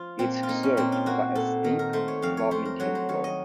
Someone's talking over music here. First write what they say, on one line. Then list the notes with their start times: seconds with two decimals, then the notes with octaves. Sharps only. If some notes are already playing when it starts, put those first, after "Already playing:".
It is served by a steep, well maintained road.
Already playing: F3 F4
0.19 A#2 C4
0.43 F4
0.49 A#3 D#4
0.63 C#4
0.77 A#2 C4
0.92 F4
1.06 A#3 F#4
1.35 A#2 A4
1.64 D#3 A#4
1.79 A#4
1.93 A3 C5
2.08 C#5
2.22 F2 F5
2.37 C#5
2.51 A3 C5
2.65 A#4
2.80 F#3 C#5
2.95 C5
3.09 D#3 C#5
3.24 D#5